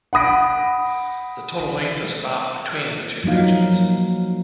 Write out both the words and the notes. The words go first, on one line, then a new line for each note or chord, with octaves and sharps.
The total length is about between the two regions.
F#5 B5 D#6 A#6 D7
F3 F#3 A#3 D#4 F5